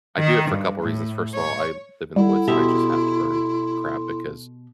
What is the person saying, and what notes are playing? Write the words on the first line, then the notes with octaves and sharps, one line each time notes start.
I do it for a couple of reasons: first of all, I live in the woods, and I just have to burn crap because
D#3
G2
A2
C#5
G3 E4 A4 F#5
B2 G4 A4 E5 C6